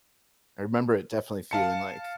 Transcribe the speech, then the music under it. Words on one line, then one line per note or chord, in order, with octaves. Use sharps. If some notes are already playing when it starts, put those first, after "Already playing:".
I remember it definitely feeling like,
F5 A5 C#7